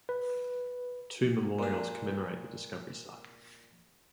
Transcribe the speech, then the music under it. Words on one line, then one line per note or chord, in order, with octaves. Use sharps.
Two memorials commemorate the discovery site.
B4
A#2 D4